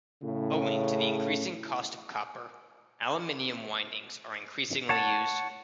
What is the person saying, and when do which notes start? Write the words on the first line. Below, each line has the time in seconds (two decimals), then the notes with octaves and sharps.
Owing to the increasing cost of copper, aluminium windings are increasingly used.
0.22 A2 C#3
4.89 C#5 F#5 A5